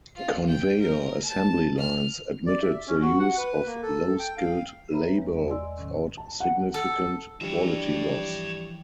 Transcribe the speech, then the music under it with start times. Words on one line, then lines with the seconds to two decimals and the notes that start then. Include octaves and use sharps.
Conveyor assembly lines admitted the use of low-skilled labour without significant quality loss.
0.15 F4
0.47 G5
0.79 A#4
1.23 A5
1.78 F6
2.46 D5
2.62 E5
2.87 C#4
3.01 F#4
3.19 F#5
3.38 B4
3.66 A#3
3.83 A4
4.19 G5
4.37 F5
4.91 B4 C#5 E5 A#5 B5
5.18 E2 G#3
5.48 D5 D#5 G#5 C6 E6
5.77 A2 C3 D#3 F#3 C#4
6.17 A5
6.40 F#5
6.74 A4
7.41 E3 F3 G3 D4 C#5 E5